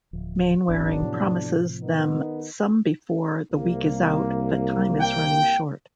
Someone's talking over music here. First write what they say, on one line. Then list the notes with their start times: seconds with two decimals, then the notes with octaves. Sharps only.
Mainwaring promises them some before the week is out, but time is running short.
0.13 D1 F3
0.68 D#1 G#1 E2 F#3 C4 D4
1.02 A2 C3 F3
1.80 D#3 B3 D#4
3.52 C2 A#3
5.00 G5